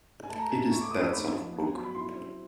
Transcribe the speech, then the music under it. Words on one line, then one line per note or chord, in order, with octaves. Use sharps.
"It is that sort of book.".
G#5
A3 A5
A#5
A3 G#5
A#5
A3 C#6
D6
A3 D#6
E6
D#4 B5
F3
B3
F#3
B5
E4 C6
C4